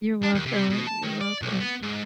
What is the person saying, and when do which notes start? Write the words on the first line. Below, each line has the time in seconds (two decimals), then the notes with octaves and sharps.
You're welcome. You're welcome.
0.23 D4
0.34 D#2
0.46 C3
0.70 B2
0.87 A5
1.03 D#3
1.21 D5
1.42 B1
1.60 B3
1.82 G#2